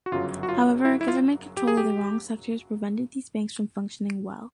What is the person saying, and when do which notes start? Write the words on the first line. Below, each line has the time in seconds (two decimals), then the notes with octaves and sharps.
However, government control of the wrong sectors prevented these banks from functioning well.
0.06 F#4
0.11 G1 F#2 C#3 F#3 F4
0.43 F#4
0.49 F4
0.85 E4
1.01 E4
1.08 F4
1.57 G4
1.67 G#4
1.77 G4